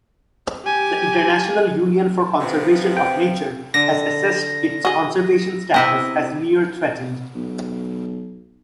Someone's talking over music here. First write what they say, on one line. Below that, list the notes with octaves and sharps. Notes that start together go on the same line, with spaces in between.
The International Union for Conservation of Nature has assessed its conservation status as "near-threatened".
G4 G#5
C3 F3 B3
G5
D3 A#6
F#4 G#4 D#5
C3 B3 E4 D#5
B1